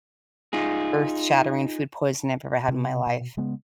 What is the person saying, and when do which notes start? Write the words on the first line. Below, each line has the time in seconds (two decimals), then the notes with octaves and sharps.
earth shattering food poison I've ever had in my life.
0.53 D#4 F4 G#4
2.68 C3
3.07 B2
3.37 C#3 G#3 B3